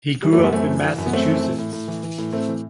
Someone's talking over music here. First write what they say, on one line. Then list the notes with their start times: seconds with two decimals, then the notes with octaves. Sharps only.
He grew up in Massachusetts.
0.23 E3 G3
0.33 F#3 A3
0.38 F#2
0.43 G3 B3
0.53 F#2 A3 C4
0.68 E3
0.83 E3
0.98 F#2
1.06 B3
1.13 F#2 A3 C4
1.28 E3
1.42 E3
1.58 A2
1.73 A2
1.88 E3
2.03 E3
2.18 A2
2.33 A2 A3 C4
2.48 E3